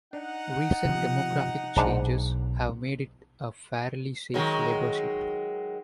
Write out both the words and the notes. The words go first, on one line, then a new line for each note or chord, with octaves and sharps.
Recent demographic changes have made it a fairly safe Labor seat.
D4 D#4 F#5
C3 F3
B1 G#2 D4 A#5
D#3 F#3 G#3